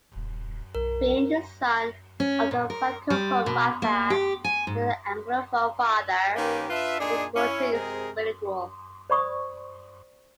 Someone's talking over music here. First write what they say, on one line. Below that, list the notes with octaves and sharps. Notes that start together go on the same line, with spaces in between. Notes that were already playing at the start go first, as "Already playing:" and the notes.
Being the son of a Francophone mother and an Anglophone father, McGuinty is bilingual.
D#1
B1 A#4
C#4
A#2
A#4
G3
B2
A#3
G4
G#5
G#2
D#3 A#3 C#4 G4 B4
D4 F4 B4 E5
A#2 D4 D#4 G#4
C#4 E4
C3 G#3 C4 G#4 A#4
C5 D5 B5 C#6 D#6